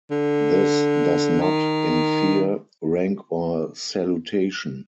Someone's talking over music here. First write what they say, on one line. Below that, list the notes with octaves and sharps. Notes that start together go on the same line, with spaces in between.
This does not infer rank or salutation.
D3
D#3